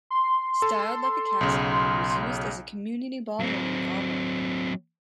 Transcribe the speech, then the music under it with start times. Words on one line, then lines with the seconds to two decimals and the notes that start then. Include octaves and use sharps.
Styled like a castle, it was used as a community ballroom and armory.
0.10 C6
0.62 A4
1.41 B1 C#3
3.40 F#3 C4